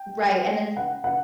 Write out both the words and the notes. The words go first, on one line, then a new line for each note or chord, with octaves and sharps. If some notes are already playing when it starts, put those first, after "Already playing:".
Right, and then s
Already playing: G5
F#5
F#5